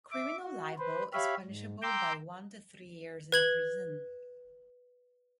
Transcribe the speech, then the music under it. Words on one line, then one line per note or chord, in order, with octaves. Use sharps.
Criminal libel is punishable by one to three years in prison.
E5 D6
F#4
B4 C5
G4 C#5 E5 F5 B5
G#2
G5 A#5 C6 D6 E6 G6
B4 G#6 F#7